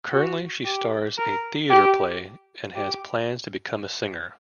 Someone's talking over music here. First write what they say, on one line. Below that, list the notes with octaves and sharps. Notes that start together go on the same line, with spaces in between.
Currently she stars a theater play and has plans to become a singer.
F#4
G4
A#4
G4
G4